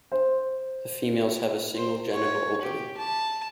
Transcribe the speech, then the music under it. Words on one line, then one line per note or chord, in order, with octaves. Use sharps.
The females have a single genital opening.
C5
C5
C#5
G4
A5